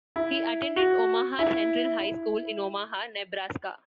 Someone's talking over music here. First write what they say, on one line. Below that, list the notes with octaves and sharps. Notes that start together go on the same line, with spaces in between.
He attended Omaha Central High School in Omaha, Nebraska.
E4
F#4
E4
E4